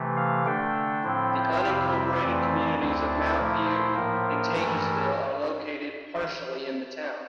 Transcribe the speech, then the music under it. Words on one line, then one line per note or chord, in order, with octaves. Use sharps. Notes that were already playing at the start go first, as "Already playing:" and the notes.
The unincorporated communities of Mount View and Taegesville are located partially in the town.
Already playing: C3 E3 A3
F5
D3 A3 D4 G5
A2 F3 C4 E4
F2 C3 G3 C4 E4 F5
E5
F2 E3 A3 C4 D5
D2 D3 A3 C4 E4
A#2 F3 A3 E4 A#4
C5
A2 F3 A#3 A#4
G2 E3 A3